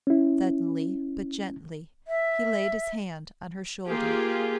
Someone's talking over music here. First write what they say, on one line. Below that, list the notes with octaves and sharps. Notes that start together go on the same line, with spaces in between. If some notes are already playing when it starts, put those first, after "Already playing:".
Suddenly but gently he laid his hand on her shoulder.
C#4 E4
E5
A#3 F4 G4 G#4